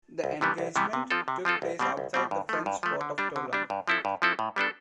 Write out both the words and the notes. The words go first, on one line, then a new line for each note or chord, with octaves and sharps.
The engagement took place outside the French port of Toulon.
C2
C3 E3 G3 B3
C2
C3 E3 G3 B3
C3
F3 C4 F4 A4
C3
F3 C4 F4 A4
C2
B2 G3 C4
C2
B2 G3 C4
G2
F3 A3
G2
F3 A3
D3
G3 D4
D3
G3 D4
G2
F3 C4 E4 A4
G2
F3 C4 E4 A4
A2
G3 B3 D4 A4